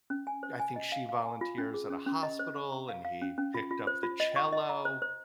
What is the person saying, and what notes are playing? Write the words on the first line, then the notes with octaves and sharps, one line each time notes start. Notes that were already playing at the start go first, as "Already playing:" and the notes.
I think she volunteers at a hospital and he picked up the cello.
C#4
G#5
C5
G#5
D#5
F5
F5
G#5
F4
C#4
G#4
C#4
C#4
D#5
C5
C#6
A#5
F5
F5
C#4
C#4
F4
F4
C5
F4
D#5
C#6
D#5
A#5
C5
C5